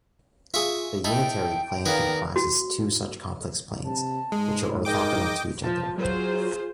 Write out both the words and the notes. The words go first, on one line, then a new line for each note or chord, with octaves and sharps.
The unitary plane comprises two such complex planes, which are orthogonal to each other.
F4 G#4 E5 C#6 D#6
D#4 E4 G5 A5
D#3 B3 G#4 A#4 D5 F5
F#4
C3 A5
G#2 G#3
D#4 G#4 A#4 D#5 G5 D6
F3 A5
F#3 F4 G#4 C5